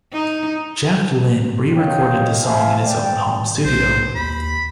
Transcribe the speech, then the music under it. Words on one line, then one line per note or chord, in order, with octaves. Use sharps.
Jeff Lynne re-recorded the song in his own home studio.
D#4
C#5 D#5 F5 G5
C5 E5 F5 G#5 A5
D5 G5
B1 C5
D#2 B5